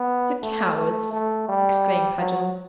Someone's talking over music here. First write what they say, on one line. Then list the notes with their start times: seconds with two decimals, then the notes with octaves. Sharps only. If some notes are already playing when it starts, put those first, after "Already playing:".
"The cowards!" exclaimed Paganel.
Already playing: B3
0.43 A3
0.78 A3
1.13 A3
1.49 G3
2.20 F#3